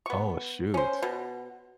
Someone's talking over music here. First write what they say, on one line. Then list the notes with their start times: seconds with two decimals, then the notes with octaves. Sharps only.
Oh, shoot
0.06 B3 C#6
0.74 C#4 C5
1.02 B2